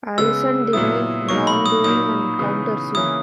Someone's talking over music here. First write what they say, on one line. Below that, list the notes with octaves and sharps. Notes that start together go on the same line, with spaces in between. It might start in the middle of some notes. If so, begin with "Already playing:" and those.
Allyson denied wrongdoing and countersued.
C#3 G#3 B3 E6
A#2 F#3 B3 E4 D#6
B2 F#3 A#3 D#4 C#6
B5
D#6
A#2 F#3 A#3 D#4 D#6
C#3 E3 B3 D#4
C#3 E3 A#3 C#4 E4 D#6